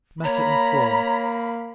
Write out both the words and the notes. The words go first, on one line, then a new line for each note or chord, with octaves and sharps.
Matter and Form.
A#3 C#5 A#5 B5